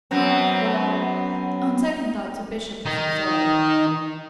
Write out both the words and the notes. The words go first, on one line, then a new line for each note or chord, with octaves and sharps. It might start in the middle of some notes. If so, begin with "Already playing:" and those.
Well, on second thoughts, a bishop was absurd.
F#2 B3 C4
D#3